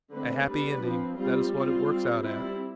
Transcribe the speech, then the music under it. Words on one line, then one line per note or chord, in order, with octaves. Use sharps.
A happy ending, that is what it works out at.
D3 A3 C4 B4
G3 B3 D4 B4
F3 C4
G3 C4 F4
G3 C4 F4
G3 C4
G3 C4 E4